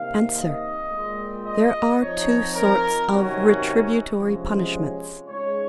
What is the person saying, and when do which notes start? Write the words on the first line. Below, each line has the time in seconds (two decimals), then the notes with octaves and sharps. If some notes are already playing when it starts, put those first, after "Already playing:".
Answer.--There are two sorts of retributory punishments.
Already playing: C3 D#3 A#3 F5
0.37 D#5
0.90 A#2 G#3 C4
1.46 D#5
2.00 F3 C4 D#4 C#5
2.55 A#4
3.10 C3 D#3 F#3 C#4 F#4
4.19 C3 F3 G#3 C#4
4.74 C#5
5.28 C#3 G#3 D#4 C#5